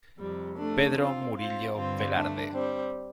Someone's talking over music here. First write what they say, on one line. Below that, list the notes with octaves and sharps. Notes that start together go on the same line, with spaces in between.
Pedro Murillo Velarde.
F2 C3 G3
A3 D4
C4 F4
C4 F4
G2 D3 C4 F4
A3 D4
G3 C4